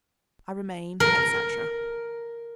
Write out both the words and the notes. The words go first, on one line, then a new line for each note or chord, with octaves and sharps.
I remain, etc.
A#4